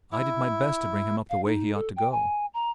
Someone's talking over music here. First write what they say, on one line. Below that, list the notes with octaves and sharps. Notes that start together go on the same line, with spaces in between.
I did my best to bring him up the way he ought to go.
E4
F5
D#4
A4
G5
G#5
A#5